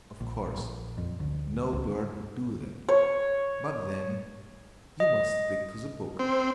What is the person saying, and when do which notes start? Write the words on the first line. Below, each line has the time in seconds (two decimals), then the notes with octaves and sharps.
Of course no bird would do that, but then you must stick to the book.
0.20 A#1
0.57 A#1
0.98 F2
1.20 D2
1.73 C#2
2.89 C#5
5.00 D#5
6.19 C4